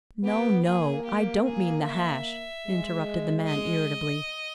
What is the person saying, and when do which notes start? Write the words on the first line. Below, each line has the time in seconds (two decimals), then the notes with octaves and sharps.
"No, no, I don't mean the hash," interrupted the man irritably.
0.24 B3 G4
0.64 A#3 G#4
1.05 G4
1.45 G#4
1.86 E5
2.67 G#3
3.47 D#5